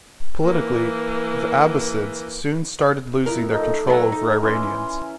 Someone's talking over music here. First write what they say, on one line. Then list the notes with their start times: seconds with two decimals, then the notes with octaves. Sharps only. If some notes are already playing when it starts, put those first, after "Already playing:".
Politically, the Abbasids soon started losing their control over Iranians.
0.42 E3 A#3
3.26 F2 E4 A#4
3.51 A3 D#4 D#5
3.87 F#3 B3 B4 E5 A#5
4.12 D#4 A4
4.43 E3 C#4 C6